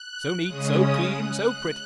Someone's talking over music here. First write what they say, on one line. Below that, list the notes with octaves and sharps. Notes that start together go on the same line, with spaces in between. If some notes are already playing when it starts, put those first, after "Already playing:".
So neat, so clean, so pretty!
Already playing: F#6
C#3 G#3 C#4 D#6
D#6
F#6